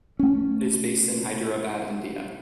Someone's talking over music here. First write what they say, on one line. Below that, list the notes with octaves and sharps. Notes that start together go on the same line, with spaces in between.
It is based in Hyderabad, India.
A3 C#4